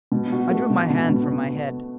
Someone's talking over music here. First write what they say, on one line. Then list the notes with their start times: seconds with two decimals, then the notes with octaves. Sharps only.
I drew my hand from my head.
0.12 B2
0.32 F#4
0.51 A3
0.70 B2
0.90 B2
1.09 B2